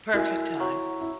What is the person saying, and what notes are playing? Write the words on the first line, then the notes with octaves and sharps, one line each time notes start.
Perfect time.
E4 F#4 A#4 E5 G#5
F#4 C#5 F#5 A#5 C#6
E4